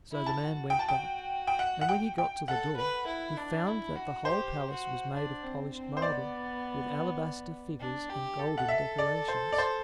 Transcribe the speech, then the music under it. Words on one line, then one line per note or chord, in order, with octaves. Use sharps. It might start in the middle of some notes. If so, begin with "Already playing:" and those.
So the man went back, and when he got to the door, he found that the whole palace was made of polished marble, with alabaster figures and golden decorations.
E4
A5
F#4
G5
A5
G5
G5
F#5
F#5
G5
G5
A4 F#5
B4
E4
D4
E4
F#4
G4 C5
F#4
D4
C4
C4
C5
B3 D5
D4
G4
A4
F#5
E5
D5
C5
D5
C5